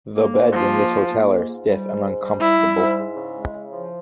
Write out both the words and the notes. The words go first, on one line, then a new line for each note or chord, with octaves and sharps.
The beds in this hotel are stiff and uncomfortable.
A#3
G#2
F3 A#3
G#2
G#2
A#3
G#2
G#2
G3
G#2
G#2
G3
G3 E4
G3
G#2
G#2
C#3
G#3
C#3
F3